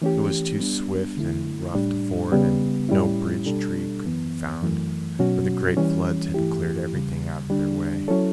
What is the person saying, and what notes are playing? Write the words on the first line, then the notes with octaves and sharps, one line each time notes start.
It was too swift and rough to ford, and no bridge tree could be found, for the great floods had cleared everything out of their way.
E3 A3 C#4 G4
G3 B3 D4
D3 A3 E4
A2 G3 D4
C#3 G3 B3
A2 G3 C#4 E4
B2 G3 D4 A4
F#2 E3 B3
F#2 E3 A3
B2 F#3 C#4 F#4
E3 G3 C#4
G2 E3 A3 E4 G4
E2 C#3 G3
D3 G3 D4
F#3 C#4 E4 A4 C#5